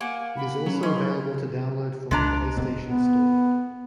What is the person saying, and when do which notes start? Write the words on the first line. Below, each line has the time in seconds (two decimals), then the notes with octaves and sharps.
It is also available to download from the PlayStation Store.
0.01 A#3 F#5 G#5
0.36 B5
0.66 F#3 C#4
0.83 C#4 D#4 C6
2.11 C#2 G#3 D4 A#5
2.57 D1 B2 C4
2.84 B3